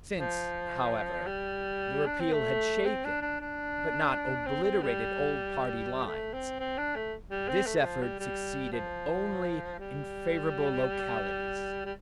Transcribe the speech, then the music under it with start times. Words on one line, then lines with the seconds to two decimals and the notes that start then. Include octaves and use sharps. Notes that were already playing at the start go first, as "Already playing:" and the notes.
Since, however, the repeal had shaken but not obliterated old party lines, this effort succeeded only in favorable localities.
0.20 F3
1.26 G3
2.06 D4
2.20 C4
2.33 A3
2.86 C4
3.04 D4
3.22 D4
3.40 D4
4.46 C4
4.64 C4
4.82 G3
6.06 A3
6.33 C4
6.60 C4
6.77 D4
6.95 A3
7.30 G3
7.48 C4
7.66 A3
7.83 F3
8.02 G3
8.20 G3
8.72 F3
9.79 G3
11.85 G3